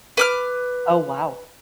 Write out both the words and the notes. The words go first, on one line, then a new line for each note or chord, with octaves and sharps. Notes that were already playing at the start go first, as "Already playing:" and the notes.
Oh, wow.
B4 D6 F6